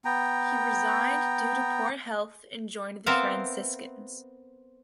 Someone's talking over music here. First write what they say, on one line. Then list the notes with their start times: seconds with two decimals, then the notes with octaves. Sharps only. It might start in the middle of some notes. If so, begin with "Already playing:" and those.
He resigned due to poor health and joined the Franciscans.
0.05 B3 G5 A#5
3.06 B3 C4 A#4 C5 E5 F5